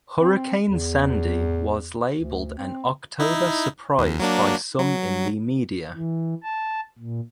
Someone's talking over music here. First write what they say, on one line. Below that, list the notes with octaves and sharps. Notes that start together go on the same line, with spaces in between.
Hurricane Sandy was labelled an October surprise by some in the media.
C4
E2
D2
C4
D#4 E4
D#2
F#3 A#3 D4
F#3
E3
A5
A#2